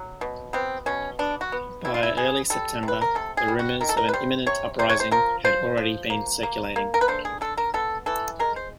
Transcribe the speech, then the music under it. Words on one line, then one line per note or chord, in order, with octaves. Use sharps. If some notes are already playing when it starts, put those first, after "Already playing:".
By early September, the rumors of an imminent uprising had already been circulating.
Already playing: F#3
B2
B3 C4
B2 C#4
B3 D4
F#4
B3
B2 E4
F4
E4
B3 G#4
G3 A4
C3
B4
A#4
C3 A4
G#4
G3
F#4
D#3 A#4
A4
A#4
B4
G3 C5
C3 C#5
C3 C5
C#5
C5
F3 A#4
F3 C5
F3
A#3
A#3
A#3
A#4
B4
D3 C5
G#4
D3 A4
A#4
B3 A4
E3 A4
G#3 A#4
C5